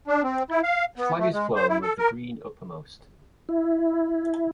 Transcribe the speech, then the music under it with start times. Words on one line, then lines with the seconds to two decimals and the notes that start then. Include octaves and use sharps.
The flag is flown with the green uppermost.
0.07 D4
0.24 C4
0.50 E4
0.63 F5
0.98 B3
1.19 A3
1.33 G#3
1.56 C5
1.69 E4
1.82 A4
1.98 A#4
3.49 E4